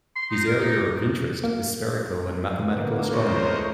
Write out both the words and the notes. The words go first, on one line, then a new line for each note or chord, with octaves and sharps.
His area of interest is spherical and mathematical astronomy.
C6
D#4
A#4
D#4
A#3
D3 A#3 B3
C#2 A3 A#4 C5 C#5 D#5